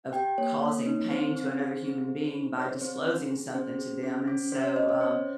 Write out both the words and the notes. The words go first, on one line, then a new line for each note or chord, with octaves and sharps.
of causing pain to another human being by disclosing something to them and so, um,
G4 G5
A#3 C#5
A#3
D#4
C4 C5
C4
G#4
C4
G#4
D#4
G#4 C#5
C5
C4 C5
C5
C#4
G#4
C#4 C5
G#4
C#4
C#4
C#4 C5
C#5
C#4 D#5
C#5
C#4 C5